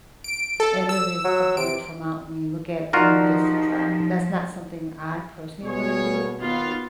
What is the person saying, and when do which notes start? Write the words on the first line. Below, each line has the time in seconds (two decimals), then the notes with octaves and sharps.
And it is a beautiful mountain when you look at it from a distance out. That's not something I personally wanna do,
0.24 D7
0.60 A4
0.89 E6
1.24 F#3
1.57 C3 D7
2.93 F3 G3 D#4 F4 F#4 A#4
5.64 B2 G3 G#4 C#5
6.40 D#2 B3 F4 F5